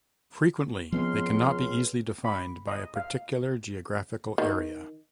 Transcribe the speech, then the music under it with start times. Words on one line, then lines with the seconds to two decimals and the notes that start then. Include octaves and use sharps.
Frequently, they cannot be easily defined by a particular geographical area.
0.92 C#2 F3 B3 C4 C6 F6
2.25 B5
2.68 D#5
2.96 F5
4.38 D#3